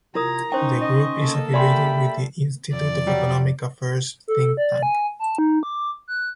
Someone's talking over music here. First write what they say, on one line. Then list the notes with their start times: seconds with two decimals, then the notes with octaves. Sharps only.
The group is affiliated with the Institute of Economic Affairs think tank.
0.15 C3 E4 F4 A#4 A#5 D#6 G#6
0.52 C#4 D#4 C5 G5 C6 C#6
0.81 D#5
1.19 A#3 A4
1.54 G4 D5 E5 G#5 B5 C6
2.73 F2 D5
3.07 F#3 G3
4.28 A4
4.57 D5
4.83 G#5
5.20 A5
5.38 D#4
5.63 D6
6.08 F#6